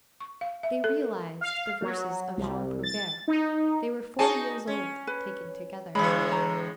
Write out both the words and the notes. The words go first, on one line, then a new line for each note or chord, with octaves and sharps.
They realized the verses of Jean Prouvaire; they were forty years old taken together.
C#6
F5
E5
A4
A#4
F5
F#3
C2
A6
D#4
D#4 F#4 G#4 D5 G#5 A5
C#4
B4
A2 D3 E3 G#3 B5
A#5